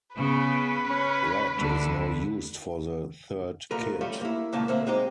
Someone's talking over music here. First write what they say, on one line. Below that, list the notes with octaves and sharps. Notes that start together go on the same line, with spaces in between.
Red is now used for the third kit.
C#3 B3 B4
C#4
D2 D3
A#2 A3 A#4 B4
G3 A3 C#4 F4
A#3 E4
C#2 A#2 A#3 F4 A5
D2 A2 A#3 C4 E5
G#3 C4 D#4 G4